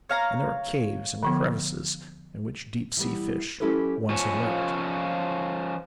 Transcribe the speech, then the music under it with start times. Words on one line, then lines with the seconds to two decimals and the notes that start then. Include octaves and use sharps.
And there were caves and crevices in which deep sea fish once had lurked.
0.09 C#5 F5 A#5
1.23 D3 F3 B3
2.97 E3 G3 B3
3.60 F#3 C#4 E4 G4 A4 B4
4.09 F3 C#4